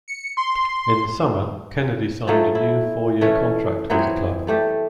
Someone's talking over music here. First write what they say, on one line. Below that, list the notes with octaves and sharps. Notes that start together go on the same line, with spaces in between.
In the summer Kennedy signed a new four-year contract with the club.
C#7
C6
F3 F#3 A3
E4
E3 A3 C#4
E3 F#3 B3 C4
G3 A3 G4